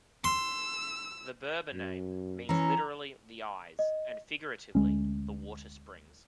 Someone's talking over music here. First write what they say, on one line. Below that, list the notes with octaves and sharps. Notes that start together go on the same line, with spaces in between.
The Berber name means literally "the eyes" and figuratively "the water springs".
C6 E6
F#2
E3 C#4 A#5
D#5
D2 G#3 C#4